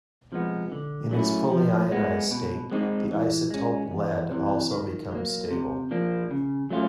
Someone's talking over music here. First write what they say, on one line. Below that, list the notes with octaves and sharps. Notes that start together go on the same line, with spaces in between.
In its fully ionized state the isotope Pb also becomes stable.
C3 F3 G#3 B3
D3
F#3 A3 C#4 E4
F3
G#3 B3
B2
G#3 C4 D#4
E3
G#3 C#4
E2
C3 E3
D#3
F#3 A#3
C3
F3 A#3 D4
C#3
F#3 A3 C#4 F4